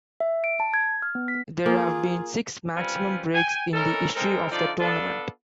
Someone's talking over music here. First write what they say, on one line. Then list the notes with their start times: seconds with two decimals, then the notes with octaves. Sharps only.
There have been six maximum breaks in the history of the tournament.
0.20 E5
0.44 D7
0.60 A5
0.74 G#6
1.02 F6
1.15 B3
1.28 B6
1.66 A#3 F4 G#4
2.76 G3 C4 C#4 F4 B4
3.35 G5 G#5
3.74 E3 C#4 D#4 A4 A#4
4.15 G#3 C4 A4 A#4
4.50 D3 F3 D#4 F4 D5
4.80 B3 D4 F4 A4